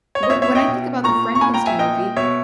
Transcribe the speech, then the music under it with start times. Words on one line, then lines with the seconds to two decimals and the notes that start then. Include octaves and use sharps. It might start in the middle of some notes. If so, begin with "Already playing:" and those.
When when I think about the Frankenstein movie,
0.15 C#5
0.23 D#5
0.30 A#2 C#5 E5
0.42 C#5 E5
0.55 D#5 G5
0.68 B2
1.04 A#2 A#5 C#6
1.35 C#6
1.41 A#2 G#5 B5
1.54 G5 A#5
1.66 E5 G#5
1.79 A#2 D#5 G5
2.16 B2 C#5 E5